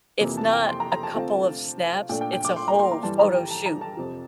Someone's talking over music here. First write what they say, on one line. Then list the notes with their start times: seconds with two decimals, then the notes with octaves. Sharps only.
it's not a couple of snaps, it's a whole photo shoot.
0.20 F2 C3 E3 A#3 E4
0.37 A5
0.52 G5
0.68 C6
0.80 A#5
0.92 A#5
1.03 A5
1.15 D3 A3 C4 F4
2.09 A#2 A3 D4 F4 G5
2.21 G5
2.33 G5
2.45 D6
2.56 C6
2.68 A#5
2.79 C6
2.91 A#5
3.03 G2 E3 G3 A5
3.19 A#5
3.35 G5
3.51 A5
3.66 A#5
3.81 A5
3.97 F2 C3 F3